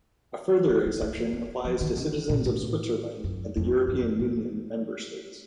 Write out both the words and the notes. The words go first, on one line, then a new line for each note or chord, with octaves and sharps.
A further exception applies to citizens of Switzerland and the European Union member states.
F#3
A#3
A3
A#3
A#3
F3
D#3
C#3
A#2
A2
F#2
F2
F#2
A2